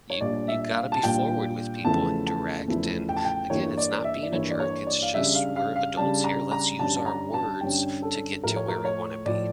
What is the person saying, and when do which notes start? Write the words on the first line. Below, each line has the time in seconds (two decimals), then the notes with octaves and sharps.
Y you gotta be forward with people and direct. And, again, it's not being a jerk. It's just we're adults here. Let's use our words to get to where we wanna be.
0.10 C#5
0.21 A#2 G3 D4 F4 D5
0.48 E5
0.76 F5
0.92 A5
1.03 A#2 G3 D4 F4 G5
1.85 E2 C#3 F3 A3 E4 A5
2.27 A5
2.68 E2 C#3 F3 A3 E4
3.09 G5
3.16 A5
3.25 G5
3.50 G2 E3 A#3 E4 C#5
3.77 D5
4.04 E5
4.23 D5
4.32 G2 E3 A#3 E4 C#5
4.50 D5
4.60 C#5
4.86 D5
5.02 F5
5.14 C#3 G3 D4 E5
5.35 F5
5.56 F5
5.76 F5
5.97 C#3 G3 D4 A5
6.24 A#5
6.52 A#5
6.79 G2 D3 G3 C#4 A5
6.96 A5
7.06 A#5
7.34 A5
7.61 G2 D3 G3 C#4 G5
8.02 A4
8.44 A2 F3 A3 A#4
8.56 C#5
8.68 A#4
8.85 C#5
9.26 A2 F3 A3 D5